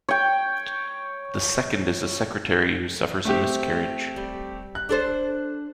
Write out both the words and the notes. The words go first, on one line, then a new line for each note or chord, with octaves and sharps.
The second is a secretary who suffers a miscarriage.
C#5 G5
A3 C4 G4
G3
F#6
D4 A4 C5